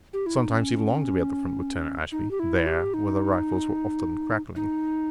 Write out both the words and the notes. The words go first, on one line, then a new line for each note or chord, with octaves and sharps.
Sometimes he longed to be at the front with Turner Ashby, there where the rifles were often crackling.
G4
E4
D#4
C#4
D#4
G4
E4
G4
D#4
D#4